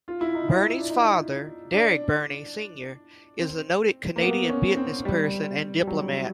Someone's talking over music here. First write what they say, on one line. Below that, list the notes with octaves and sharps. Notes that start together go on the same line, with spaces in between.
Burney's father, Derek Burney Senior is a noted Canadian businessperson and diplomat.
F4
E4
D#4
E4
D4
D#4
D4
C4
A#3
B3
C#4
C4
G3
G3
F#3